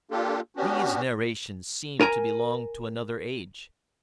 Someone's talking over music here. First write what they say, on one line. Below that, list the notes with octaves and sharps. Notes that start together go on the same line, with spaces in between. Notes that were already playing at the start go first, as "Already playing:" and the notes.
These narrations seemed to belong to another age.
A#3 D4 F4 G4 A4
B3 C#4 D4 F#4 G4
A#4 G#5 A#5